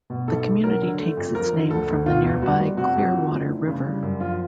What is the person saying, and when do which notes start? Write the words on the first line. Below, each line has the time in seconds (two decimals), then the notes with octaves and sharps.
The community takes its name from the nearby Clearwater River.
0.10 B2
0.28 B1 A4
0.46 B1
0.64 F#3 A#4
0.82 D3
0.99 A3
1.17 F2
1.35 F3 A#4
1.53 D3
1.70 D2 A4
1.89 D2
2.06 B2 F4
2.24 E2
2.42 G3 F#4
2.60 F1
2.77 C3 F#4
2.96 F2
3.13 E3
3.31 F1
3.49 E3
3.67 C#3
3.85 G3
4.02 F#2
4.20 F3 F4